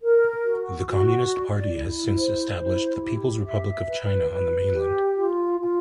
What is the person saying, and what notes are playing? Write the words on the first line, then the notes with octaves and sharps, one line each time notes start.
The Communist Party has since established the People's Republic of China on the mainland.
A#4
F#4
F#4
D5
E4
C5
E4
G4
E5
B4
B4
G4
F4
F4